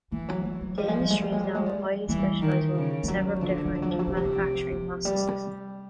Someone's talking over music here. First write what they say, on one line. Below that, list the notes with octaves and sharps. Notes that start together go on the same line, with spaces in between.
The industry is now a highly specialized one with several different manufacturing processes.
E3 F3
F#3
F3
F#3
F3 G3
G#3
G3
G#3
G3
G#3
G3
G#3
G3
E3 G3
D#3
C#3
F3
F#3
D3 F3
F#3
F3
F#3
F3
F#3
F3
F#3
C3 F3
F#3
F3
F3
G3